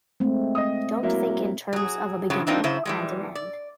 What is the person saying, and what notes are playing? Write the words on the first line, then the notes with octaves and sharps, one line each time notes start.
Don't think in terms of a beginning and an end.
G#3 A3 C4
D#5 D#6
F#3 A#3 E4
F#3 G#4
G2 C#3 F3 F#3
E3 A#3 C4 D4 D#4 F4
F#2 C#3 E4 C5
E3 G3 G#3
D5